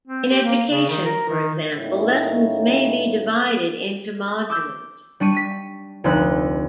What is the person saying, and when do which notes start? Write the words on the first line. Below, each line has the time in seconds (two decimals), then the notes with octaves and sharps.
In education, for example, lessons may be divided into modules.
0.07 C4
0.30 G4
0.44 A#3
0.70 C#3
0.89 D#3
1.05 A#4
1.29 D#3
1.76 A2 D#3 G3 A#3 C#4 E4
4.50 D6 E6 G6
5.20 G3 D4 C#6 D#7
5.35 B6 D#7
6.04 F1 D2 D#4 C5 B5 F#6